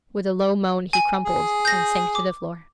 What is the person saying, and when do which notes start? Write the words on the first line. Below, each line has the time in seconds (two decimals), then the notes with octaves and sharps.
With a low moan he crumpled and sank to the floor.
0.93 G#5
1.26 G#4
1.65 G6 A#6
2.15 D6